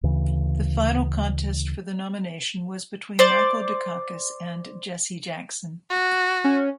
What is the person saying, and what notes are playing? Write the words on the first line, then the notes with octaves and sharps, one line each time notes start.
The final contest for the nomination was between Michael Dukakis and Jesse Jackson.
D2 C#3 E3
C5 D5
F#4
C#4